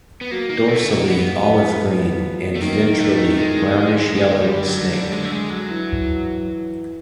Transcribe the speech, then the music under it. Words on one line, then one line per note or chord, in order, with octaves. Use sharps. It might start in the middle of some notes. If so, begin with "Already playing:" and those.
Dorsally olive green and ventrally brownish yellow snake.
B3
F#3 A#3
D#3 A#3
E3
A3
D3
A#3
F3 B3
A3
D#3 A#3
A3
G#3
D3 G#3
G3
F#3
G3
G#3
A3
G#3
F#3
E3